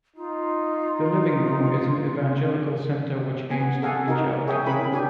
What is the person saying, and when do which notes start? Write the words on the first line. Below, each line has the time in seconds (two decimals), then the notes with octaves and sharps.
The Living Rooms is an evangelical centre which aims to reach out to people.
0.16 D#4 F4
3.50 B3 G#5
3.82 G#4 A4 F5 F#5 G#5
4.08 D#4 F#4 A#4
4.47 G#4 C#5 E5 G5 G#5
4.65 C4 C#4 E4 G#4 A#4 B5
4.93 D4 G4 G#5